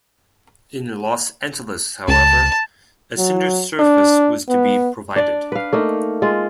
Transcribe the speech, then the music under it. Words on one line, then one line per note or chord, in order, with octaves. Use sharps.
In Los Angeles, however, a cinder surface was to be provided.
C#2 A5
F#3
D4
B3
D4 D5
B4 F5
A3 A#3 D#4
G#3 F4